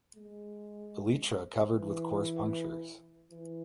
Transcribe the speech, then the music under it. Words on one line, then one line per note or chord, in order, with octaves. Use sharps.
Elytra covered with coarse punctures.
G#3
E3
E3